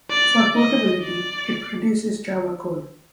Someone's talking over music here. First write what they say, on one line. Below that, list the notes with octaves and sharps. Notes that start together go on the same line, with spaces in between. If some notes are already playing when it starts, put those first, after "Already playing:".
For portability, it produces Java code.
D5
D#5
D5